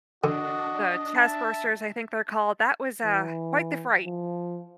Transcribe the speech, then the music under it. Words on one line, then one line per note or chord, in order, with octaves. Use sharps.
the chestbursters, I think they're called, that was, uh, quite the fright.
D3 D4 F#4 D#5
E5 A5
E3
F3